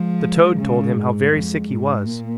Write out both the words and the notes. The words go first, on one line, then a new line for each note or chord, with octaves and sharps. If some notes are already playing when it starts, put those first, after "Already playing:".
The toad told him how very sick he was.
Already playing: F3 G#3
C#3
G#2
F2 G#3
G#2
A#2 A#3